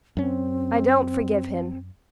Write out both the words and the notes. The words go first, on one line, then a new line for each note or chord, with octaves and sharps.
I don't forgive him.
F#2 C4 C#4